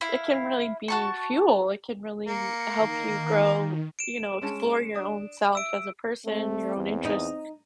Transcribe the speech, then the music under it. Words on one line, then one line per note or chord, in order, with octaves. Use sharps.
It can really be fuel. It can really help you grow, you know, explore your own self as a person, your own interest
E4 F5
F#4 A5 C#6
A#3 C#7
D#3
D7 E7
G#3 C#4 A5
D4 D#6
E5 E6 D7
A3 C4
E2
D#4